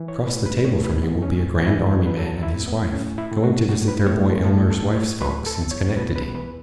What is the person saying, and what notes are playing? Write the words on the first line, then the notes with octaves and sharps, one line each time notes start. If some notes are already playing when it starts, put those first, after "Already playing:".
Across the table from you will be a Grand Army man and his wife, going to visit their boy Elmer's wife's folks in Schenectady.
Already playing: E3
C#5
A2 B4
B4
A2 C#5
B4
E3 B3
C#4
A2
E4
E3
E4
B4
F#3 A4
E4
A2
B3
A2 C#4
E4
A2
F#4
A2 F#4
B4
A2 C#5
A2 A4
A4
A2
C#5
F#3 B4
A4
E2
C#5
B2 B4
B4
E2 B4